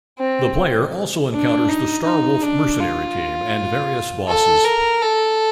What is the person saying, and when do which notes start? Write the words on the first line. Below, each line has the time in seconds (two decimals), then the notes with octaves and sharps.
The player also encounters the Star Wolf mercenary team and various bosses.
0.19 C4
1.32 D4
1.69 D#4
2.05 D#4
2.43 D4
2.80 F4
4.28 A4
4.65 A#4
5.02 A4